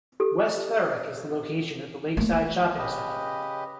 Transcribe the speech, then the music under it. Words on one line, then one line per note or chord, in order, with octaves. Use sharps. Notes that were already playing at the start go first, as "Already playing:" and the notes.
West Thurrock is the location of the Lakeside Shopping Centre.
G4 A4
A3 A#3
C#3 G4 B4 D#5